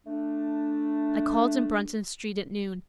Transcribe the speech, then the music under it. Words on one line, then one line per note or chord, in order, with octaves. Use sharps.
I called in Bruton Street at noon.
A3 D4